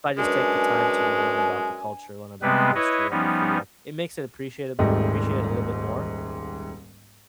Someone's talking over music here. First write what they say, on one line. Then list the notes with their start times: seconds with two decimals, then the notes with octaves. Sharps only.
if I just take the time to, you know, learn about the culture, learn about the history of the food, I it makes it appreciate appreciate a little bit more,
0.18 F#2 G#3 D4 B4 G#5
2.42 C3 G3 G#3 B3 C4 B4
2.75 E4 B4 C#5 D#5
3.11 F3 G3 B3 C#4 D#4
4.79 D#1 C2 G#2 A3 G4 D#5